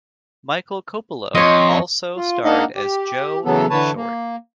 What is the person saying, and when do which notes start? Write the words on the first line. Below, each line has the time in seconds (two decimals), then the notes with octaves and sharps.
Michael Kopelow also starred as Joe in the short.
1.35 F2 C#5 D#5 C6
2.17 F4
2.44 A#3 D4 D#4 D#5 F5 F#5
2.76 G4
3.45 C#3 E3 F#3 B3 A4
3.70 D3 E3 B4 C#5 A5
3.96 A#3